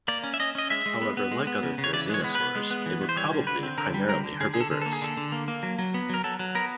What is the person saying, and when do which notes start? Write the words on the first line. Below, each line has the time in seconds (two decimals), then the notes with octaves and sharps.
However, like other therizinosaurs, they were probably primarily herbivorous.
0.08 A#3 D5
0.24 C#4
0.34 E5
0.40 C#4 D#5
0.55 C#4 D#5
0.70 G#3 E5
0.86 G#3
1.02 B3
1.17 B3
1.32 G#3
1.47 B3
1.63 C#3
1.78 C#3
1.84 C#5
1.93 E3 D5
2.10 G#3 C#5
2.24 B3
2.35 B3 B4
2.55 G#3
2.71 B3
2.86 E3
3.01 E3
3.09 C5
3.17 G3 C#5
3.33 D3
3.47 D3 B4
3.63 C4
3.78 D3 A#4
3.94 G3
4.09 D3 A#4
4.24 D3
4.40 D3 G#4
4.54 D3 G#4
4.61 A4
4.71 D3
4.82 A#3 A4
4.93 G#4
5.02 D3 A4
5.17 D3
5.32 A#3
5.48 A#3
5.63 F#3
5.79 F#3
5.94 B3
6.10 F#3 A#4
6.24 F#3 A4
6.39 F#3
6.55 B3 A#4